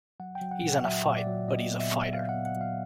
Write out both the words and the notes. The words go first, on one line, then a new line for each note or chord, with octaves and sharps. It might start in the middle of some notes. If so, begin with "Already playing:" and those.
He's in a fight, but he's a fighter.
F#3 F#5
G5
F#3
F#5
A#2
F#5
F#3 E5
A#2
D5
F#3
A#2 D#5
B3
E5
B3
F#3 F5
F#5
B3
F#5
F#3 F5